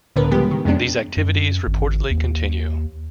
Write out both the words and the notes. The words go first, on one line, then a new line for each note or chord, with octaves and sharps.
These activities reportedly continue.
C#2 A2 D3 B3 A#4 B4
C#3 F3 G3 G#3 B3 G4
D#3
F2 C3 G#3 B3 C#4 D4
F#2
G#1
D#2